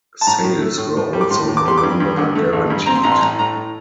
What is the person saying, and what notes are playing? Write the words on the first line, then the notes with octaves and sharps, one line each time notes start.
Sales were also no longer guaranteed.
A5
A2 A#5
A2
A3
A2
A2
G3
D6
A2 C6
A2
D6
G3 C6
D6
G2
G2
D3
A3
A1
G2
C4 A#5
C6
A1 A#5
C6
A2 A#5
A2 A#5
A2